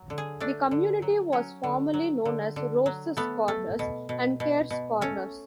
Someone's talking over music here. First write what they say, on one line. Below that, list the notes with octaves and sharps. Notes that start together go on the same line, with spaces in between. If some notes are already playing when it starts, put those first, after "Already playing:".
The community was formerly known as "Rose's Corners" and "Kerr's Corners".
Already playing: F#3
D3
G#4
A3 D4
D3
F#3
F#3 C#4
D3
F#3
D3
D3
F#3
A3 B3
A3
B2
B2
B2
B2
A3 C#4